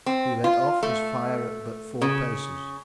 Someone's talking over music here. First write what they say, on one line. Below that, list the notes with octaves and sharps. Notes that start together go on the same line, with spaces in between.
He let off his fire at but four paces.
C4
F4
A3
C#3